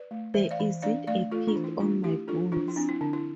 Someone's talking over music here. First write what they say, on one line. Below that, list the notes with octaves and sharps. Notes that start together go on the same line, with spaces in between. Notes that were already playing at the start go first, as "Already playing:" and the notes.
There isn’t a pick on my bones.
Already playing: B4 D5
A3
E3 C5 E5
D5 F5
E3
D4 D5 F5
A3 D5 F5
A3 F4 A4
D4 F4
E3
E4
A3 D4 F4
A3 E4 G4
D4 F4 A4
F3 D4 F4
E4
C4 D4
E4
D3 D4
E4